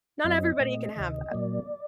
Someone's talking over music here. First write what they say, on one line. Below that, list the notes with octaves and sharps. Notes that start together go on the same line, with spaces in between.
not everybody can have that.
F#2 F#3 C4 D#5
A#2 A3 C4
D2 C3 D#3
A#2 F#3 A#3 D5